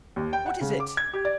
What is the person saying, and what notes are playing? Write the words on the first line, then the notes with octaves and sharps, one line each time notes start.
What is it?
D#2
G5
F#5
C#3
D6
G#6
G4
D5